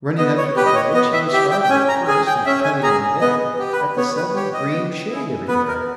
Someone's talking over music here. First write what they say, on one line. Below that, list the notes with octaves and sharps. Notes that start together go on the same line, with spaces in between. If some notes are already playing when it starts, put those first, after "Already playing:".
Running up to the bridge he was startled at first, at coming on deck, at the sudden green shade everywhere.
B3 D#5
C#5
G4 B4
D#5
C#5
B3 D#5
E5
G4 E5
G5
G5
C#4 G#5
A#5
G#4 G#5
G5
C#4 E5
G#5
G#4 A#5
B3 D#5
G4
B4
B3 C#5
B4
G4 C#5
D#5
B3
E4 G#4
B3 B4
A#4